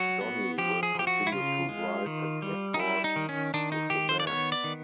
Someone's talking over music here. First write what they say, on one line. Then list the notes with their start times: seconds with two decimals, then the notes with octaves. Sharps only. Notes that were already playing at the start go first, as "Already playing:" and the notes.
Donnie will continue to write and record with the band.
Already playing: F#3 F#4
0.21 B3
0.58 F3 G4
0.83 G#4
0.95 F3 G4
1.07 F#4
1.27 E4
1.32 C#3 F4
1.69 G#3
2.06 D#3
2.42 G3
2.74 D#4
2.79 G3 E4
3.04 D#4
3.16 D#3
3.29 C#4
3.54 D#3 D4
3.72 D#4
3.90 D#3 G4
4.09 C5
4.20 D5
4.27 B3 C#5
4.52 D5
4.64 D#3